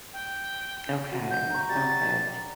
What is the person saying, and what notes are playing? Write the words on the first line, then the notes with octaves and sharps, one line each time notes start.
Okay, okay.
G5
F#4
G6
A#5 C#6
G3 F#5 A6